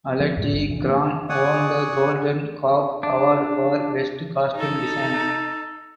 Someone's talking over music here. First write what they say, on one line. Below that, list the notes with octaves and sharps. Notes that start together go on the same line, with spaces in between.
Alette Kraan won the Golden Calf award for Best Costume Design.
F3 D4
F2 A2 G#3 B3
G#1 G2
F2 C3 E3
C#3 F#3 A#3 D4
D5 F#5 G#5 C#6 D#6
D4
D#4 A4